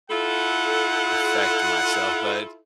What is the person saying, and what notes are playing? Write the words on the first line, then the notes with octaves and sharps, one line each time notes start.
affect myself, but
E4 F4 A4 F#5